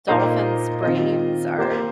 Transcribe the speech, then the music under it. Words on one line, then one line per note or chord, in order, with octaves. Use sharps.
dolphins' brains are
A#2 A#3 D#4 C5 D#5
D#3 C4 F4 D#5
A#3 G4 C5